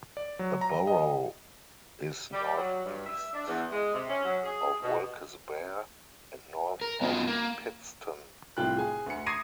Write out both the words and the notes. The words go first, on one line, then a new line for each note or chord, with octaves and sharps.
The borough is northeast of Wilkes-Barre and north of Pittston.
D5
F#3
A#5
D#5
G3
F#3
G2
E5
D4
E2
G#3
C3
C#4
F#3
G#4
B2
A#4
B3 C#4 D#4 F4 F#4
A#3
C2 A2 F4 G5 F#6
G#4 G#5
D2 C#7
D6 D#6 G#6 A#6 C7 D#7